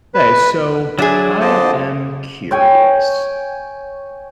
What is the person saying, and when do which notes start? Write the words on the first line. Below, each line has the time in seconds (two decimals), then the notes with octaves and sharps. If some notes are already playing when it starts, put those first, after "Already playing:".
Hey, so, I am curious.
0.14 B4
0.99 F#3 D4 G#4 D5 E5
1.41 F2 D3 C5 D5 D#5
2.51 C#5 G5 G#5